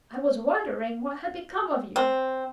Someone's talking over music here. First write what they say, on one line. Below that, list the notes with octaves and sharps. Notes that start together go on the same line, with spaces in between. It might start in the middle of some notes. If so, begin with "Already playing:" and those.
"I was wondering what had become of you."
C4